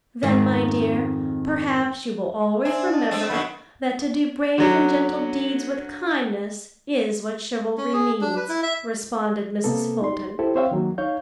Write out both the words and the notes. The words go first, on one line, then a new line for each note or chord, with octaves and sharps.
"Then, my dear, perhaps you will always remember that to do brave and gentle deeds with kindness is what 'chivalry' means," responded Mrs. Fulton.
F2 G#2 D#3
D4 C5 E5 G#5
D#5 A5
F3 C4 D4
F#2 D3 D#3 B4 F#5 B5
D3 F#3
C#4
G#4
D4
B4
E4
E5
C3 A#3 B3 A4
D#4 C6
E4 G4 A4 C5
C4 C5 C#5 E5 F5 G5
D#3 F#3 A#3
D#4 C#5 F5 G6